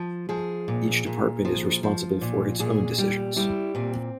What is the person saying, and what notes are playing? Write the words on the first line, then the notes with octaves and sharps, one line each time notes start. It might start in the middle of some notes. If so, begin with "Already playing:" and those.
Each department is responsible for its own decisions.
Already playing: F3
F3 G#4
A#2
A#2
F3
F3
A#2
A#2 G#4
G3
G3 E4
A#2 C4